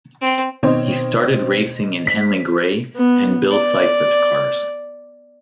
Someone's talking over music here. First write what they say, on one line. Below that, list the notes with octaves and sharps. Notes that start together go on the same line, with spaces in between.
He started racing in Henley Gray and Bill Seifert cars.
C4
B2 D#3 C4 C5 C#5 D#5
B6
B3
D5